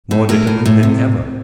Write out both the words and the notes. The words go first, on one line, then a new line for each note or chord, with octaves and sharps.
"More determined than ever."
A2
A2 A#4
A2
A2
C3